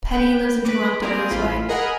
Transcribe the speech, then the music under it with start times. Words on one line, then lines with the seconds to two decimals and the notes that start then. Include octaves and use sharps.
Peddie lives in Toronto with his wife.
0.11 B4 G5
0.65 B4 D6
1.02 A#3 C4 G4 G#4 A#4
1.30 A1 F4 B5
1.69 G#4 A#4 D#5 F#5 G#5 B5